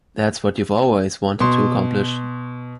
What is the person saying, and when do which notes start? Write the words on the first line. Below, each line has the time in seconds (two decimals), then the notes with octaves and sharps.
That´s what you´ve always wanted to accomplish.
1.40 B2 C6